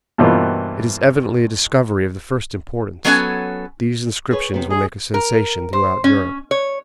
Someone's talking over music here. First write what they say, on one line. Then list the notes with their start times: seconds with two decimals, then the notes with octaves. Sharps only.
"It is evidently a discovery of the first importance. These inscriptions will make a sensation throughout Europe."
0.18 G2 B2 E3 A#3 C4 F4
3.05 F#3 B3 C#4 A4 C5 G#5
4.31 G#4 B4 C#5
4.54 C3 B3
4.70 G#4 D#5
5.14 A#4
5.73 C5
6.04 C#4
6.51 C#5